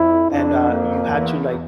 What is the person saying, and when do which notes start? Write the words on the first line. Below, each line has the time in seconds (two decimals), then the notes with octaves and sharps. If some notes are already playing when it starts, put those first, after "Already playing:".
and, uh, you had to, like,
Already playing: F2 E4
0.31 F2 D4
0.71 A#3
1.10 E2